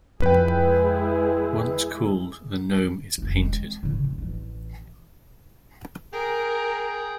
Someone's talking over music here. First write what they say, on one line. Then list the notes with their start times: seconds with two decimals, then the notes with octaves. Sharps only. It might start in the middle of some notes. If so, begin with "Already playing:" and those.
Once cooled, the gnome is painted.
0.22 F2 F3 G#3 E4 G#4 B4 G5
3.18 F1 E3
3.42 G#3 C4
3.83 A2 C#3
4.04 E1
4.18 A1 E3
6.13 G#4 A#4 G5